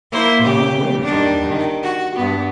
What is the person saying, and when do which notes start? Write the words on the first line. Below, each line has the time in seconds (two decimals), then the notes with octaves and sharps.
"In what way?" Trigger asked.
0.11 A#3 E4 C5
0.43 A#2 C#3 G4
1.03 D#3 G3 D4
1.48 D#3
1.83 F#4
2.16 G2 B3